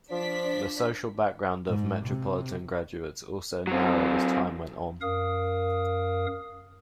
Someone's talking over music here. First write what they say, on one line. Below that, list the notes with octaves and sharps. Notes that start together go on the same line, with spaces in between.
The social background of metropolitan graduates also narrowed as time went on.
F3 D4 B6
G#2
C3
F#3 C4
F#2 A#4 F5 D#6